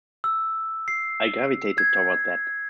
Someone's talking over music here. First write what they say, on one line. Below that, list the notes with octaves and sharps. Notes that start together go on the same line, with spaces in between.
I gravitated toward that.
E6
C7
G#6